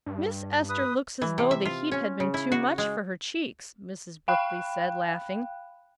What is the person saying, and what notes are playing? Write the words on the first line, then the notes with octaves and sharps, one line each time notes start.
"Miss Ester looks as though the heat had been too much for her cheeks," Mrs. Brookley said, laughing.
G2
B4 D#6
E3
C3
E5
F4
C#4
C#3
E4
F#4
G#3
F5 G5 B5 F#6